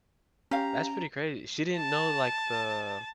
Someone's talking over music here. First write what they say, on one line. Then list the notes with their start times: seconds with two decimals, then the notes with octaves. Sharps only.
That's pretty crazy. She didn't know, like, the
0.51 C#4 G4 F5 A#5
1.77 A5